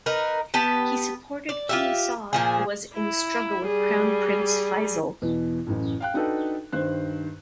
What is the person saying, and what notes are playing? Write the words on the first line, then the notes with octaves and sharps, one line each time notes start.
He supported King Saud who was in struggle with Crown Prince Faisal.
D#4 A#4 B4
B3 G4 B4 A5
D5
F4 G4 E5
A#2 F3 G#4
E4
G3 G#4
E2 B2 E3
A1 F#2 A2
F5 G5 F#6
D4 D#4 F#4 A4 B4 G5
G2 D#3 C5 F#6